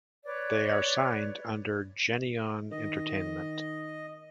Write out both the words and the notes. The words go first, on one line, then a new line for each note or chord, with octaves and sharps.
They are signed under Geneon Entertainment.
B4 C#5 D5
D#3 D#5